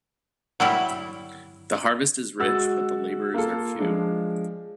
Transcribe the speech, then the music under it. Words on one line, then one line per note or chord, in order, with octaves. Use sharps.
The harvest is rich... but the laborers are few.
F#3 G3 E4 G4
G#3 F#4 E6 A6
A#3 F4 A4
F3 G#3 D4